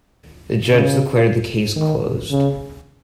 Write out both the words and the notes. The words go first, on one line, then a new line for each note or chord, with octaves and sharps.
The judge declared the case closed.
C#3
D#3
C#3